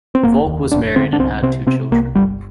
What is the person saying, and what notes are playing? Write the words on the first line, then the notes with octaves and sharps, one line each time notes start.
Volk was married and had two children.
C4
F1 A#3
D#2
F1 D4
D3 C4
D4
C2 C4
C3 C4
C3 C4
C2 A#3
G1 G3